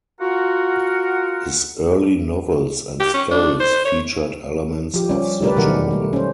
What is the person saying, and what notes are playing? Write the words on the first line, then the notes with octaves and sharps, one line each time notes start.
His early novels and stories featured elements of the genre.
F4 F#4 A#4 F#5
G4
C#4
D4
C5
C#5
F3 G4
G3 C#4
G3 A3 G4 A#4 B4 D5
B2 D#3 F#3 A#4 F#5
G3 A3
C#4 C5